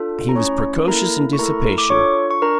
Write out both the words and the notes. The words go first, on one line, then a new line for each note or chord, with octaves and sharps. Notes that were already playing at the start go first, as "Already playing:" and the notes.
He was precocious in dissipation.
Already playing: D4 F4 A4
A#5
A3 C#4 E4 C#5 C#6
A#3 E4 A4 A#4 A#5
C#6
A3 E4 A4 A#4 A#5
D6
D4 F4 A4 C#5 C#6
C#6
D4 A#4 A#5